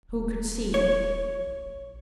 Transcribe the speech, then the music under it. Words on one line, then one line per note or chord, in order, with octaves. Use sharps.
Who could see?
D#1
C#5
A#1